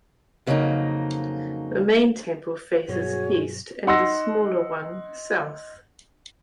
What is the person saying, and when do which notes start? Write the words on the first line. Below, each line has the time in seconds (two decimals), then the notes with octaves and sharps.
The main temple faces east and the smaller one south.
0.47 F2 C#3 F#3 A3 A#3 D#4
2.89 G2 B2 F#3 F#4 G#4 C#5
3.87 D#4 F#5 C6 E6 A#6